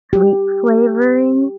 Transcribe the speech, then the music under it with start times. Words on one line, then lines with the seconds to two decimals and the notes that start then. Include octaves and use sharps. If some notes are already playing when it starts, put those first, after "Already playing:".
sweet flavoring,
0.13 G4